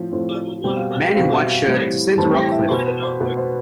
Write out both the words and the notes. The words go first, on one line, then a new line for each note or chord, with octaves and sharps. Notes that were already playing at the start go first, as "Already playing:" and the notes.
Man in white shirt descends a rock cliff.
Already playing: A2 F3 C4
A2 F3 C4
B2 G3 C4 G5
F5
G5
B2 G3 C4 F5
E5
F5
A2 E3 G3 C4
A2 E3 G3 C4 A5
G5
E5
B2 B3 C5
B4
C5
B2 B3 B4
C5